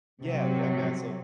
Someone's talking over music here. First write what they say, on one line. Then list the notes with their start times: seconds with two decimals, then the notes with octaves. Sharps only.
Yeah, yeah, Maslow.
0.23 C3 F#3